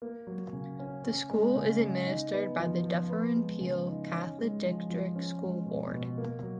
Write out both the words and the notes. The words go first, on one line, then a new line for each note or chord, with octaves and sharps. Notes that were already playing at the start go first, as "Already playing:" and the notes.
The school is administered by the Dufferin-Peel Catholic District School Board.
A#3
F#3
C#3
C#4
C#4
G#3
C#3
C#3
D#4
B3
F3
F3
B3
G#3
C#3
D#4
C#4
G#3
F3
F3
C#4
G#3
B2
B2
A#3
F#3